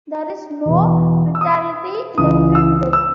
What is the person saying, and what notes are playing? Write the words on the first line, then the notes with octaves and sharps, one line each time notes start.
There is no vitality left in them.
E2 B2
E6
D#6
C#2 C#3 E3 D#6
E6
E6